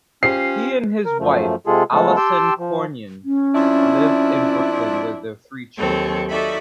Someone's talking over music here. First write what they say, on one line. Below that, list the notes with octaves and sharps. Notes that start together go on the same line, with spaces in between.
He and his wife, Alison Cornyn, live in Brooklyn with their three children.
C#4 F4 G4 C5 C7
A#4
F#2 F3 A3
C3 G#3 F4 G#4 A4
C#3 F3 G#3 A3 B3 A4
G4 G5 A5 C6 E6
F3
C#4
F2 D4 E4
D#2 F#3 C4 A4 C#5
D#4 F#4 A4 D5 E5 B5